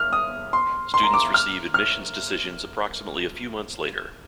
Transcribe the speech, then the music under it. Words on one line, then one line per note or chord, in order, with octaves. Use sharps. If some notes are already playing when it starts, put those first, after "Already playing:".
Students receive admissions decisions approximately a few months later.
Already playing: F6
D#6
C6
C6
A#5
D6
F6
F6